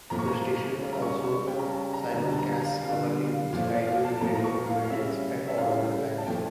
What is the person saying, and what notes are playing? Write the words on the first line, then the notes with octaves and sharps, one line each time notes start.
The station also simulcasts hourly Sky News Radio bulletins at all other times.
A#2 F3 A3 A#5
C#6
A#5
C#3 G3
A#5
C#6
C#6
C#3 G3 G5
A#5
A5
A#5
D3 G3 A#5
A5
A#5
F5
D3 G3 F5
F5
A#2 F3 A3 F5
F5
A5
A5
A#2 F3 A3 A#5
A#5
C#6
F5
F5
C#3 G3 E5
E5
C#3 G3 F5
A5
A#2 F3 A3 G5